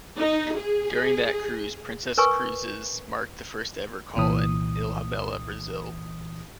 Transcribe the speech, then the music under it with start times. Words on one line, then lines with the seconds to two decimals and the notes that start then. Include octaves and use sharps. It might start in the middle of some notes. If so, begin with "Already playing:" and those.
During that cruise Princess Cruises marked the first ever call in Ilhabela, Brazil.
0.18 D#4
0.56 G#4
2.18 A#4 B4 G#5 C#6
4.16 C2 A#2 E3 D#6